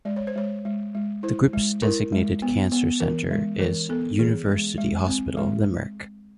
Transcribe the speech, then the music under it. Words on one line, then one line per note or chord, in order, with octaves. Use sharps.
The Group’s designated cancer centre is University Hospital Limerick.
G#3 D5
C#5
C5
G#3 C#5
G#3
G#3
E4 C5
G#3
E4 A#4
G#3
B3
B3
E3 A#4
G#3
E3 A#4
B3 A4
E3 G#4
G#3
G#3
C4
G#3